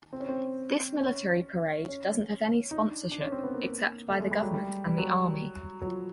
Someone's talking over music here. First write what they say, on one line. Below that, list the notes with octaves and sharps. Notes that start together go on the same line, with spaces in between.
This military parade doesn't have any sponsorship except by the government and the Army.
C4
C#4
C4
C#4
C#4
D#4
D4
D4
C#4
C4
B3
A#3
A3
G#3
G3
F#3
G3
G3
F#3
F#3
F3